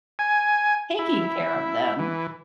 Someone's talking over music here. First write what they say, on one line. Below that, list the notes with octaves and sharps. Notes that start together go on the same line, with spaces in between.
taking care of them.
G#5
E4
E3